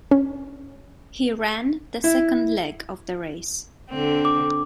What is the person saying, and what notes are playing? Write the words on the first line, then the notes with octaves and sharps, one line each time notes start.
He ran the second leg of the race.
C#4
E4
D3 C4
D6